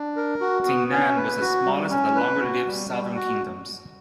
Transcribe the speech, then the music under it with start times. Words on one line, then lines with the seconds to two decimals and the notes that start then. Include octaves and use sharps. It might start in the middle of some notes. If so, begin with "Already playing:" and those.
Jingnan was the smallest of the longer-lived southern kingdoms.
Already playing: D4
0.16 A#4
0.41 F#4
0.66 B3
0.90 C#4
1.16 B4
1.41 F#4
1.65 G3
1.90 C#4
2.15 B4
2.41 F#4
2.65 G3
2.90 G3
3.15 F#4